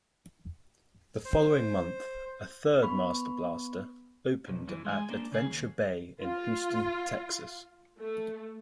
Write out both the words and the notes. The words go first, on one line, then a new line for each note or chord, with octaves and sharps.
The following month a third Master Blaster opened at Adventure Bay in Houston, Texas.
C5
B3 B5 C#6
B1
F#2 E3
G#3 G#5
A#3 D4
C#3 G#4
D#2
F4
A3